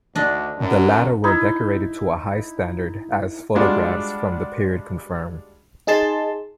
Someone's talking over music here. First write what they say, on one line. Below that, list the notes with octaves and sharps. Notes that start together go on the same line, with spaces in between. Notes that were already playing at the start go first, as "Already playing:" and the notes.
The latter were decorated to a high standard, as photographs from the period confirm.
D2 D4 D#5
F#2
D#4 E4
G3 G#3 D4 F4 F#4
D#4 G#4 A5 C6